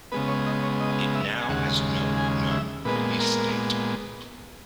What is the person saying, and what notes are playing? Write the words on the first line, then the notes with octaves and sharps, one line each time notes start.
It now has no known release date.
C#3 G#3 B3 B4
C#5
D#5
C#5
D#5
E5
G#5
D#2 C#3 G#3 F#5
G#5
E5
A#2 G#3 B3 B4
A#4